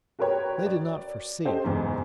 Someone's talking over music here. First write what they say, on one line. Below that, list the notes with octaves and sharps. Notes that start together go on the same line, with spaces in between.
They did not foresee....
F#4 G4 A#4 B4 C#5 G5
D5
C#4 G4 A4 C5 D#5
F#1 E2 G#2